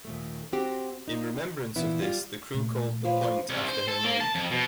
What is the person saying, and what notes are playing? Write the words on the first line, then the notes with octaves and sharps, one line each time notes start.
In remembrance of this the crew called the point after her name.
D#2 A#2 A3
C4 F#4 G4
D#4
A#2 E3 B3 E4
G3 F4
A#2 A3
F3 B4 C#5
C6
C2
C5
A4
A#3
A5
F2
B2